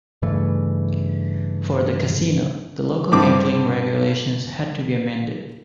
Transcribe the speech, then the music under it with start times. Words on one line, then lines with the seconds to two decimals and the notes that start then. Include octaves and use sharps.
For the casino, the local gambling regulations had to be amended.
0.22 G2 C#3 E3 A3
3.12 G2 D3 C4 D6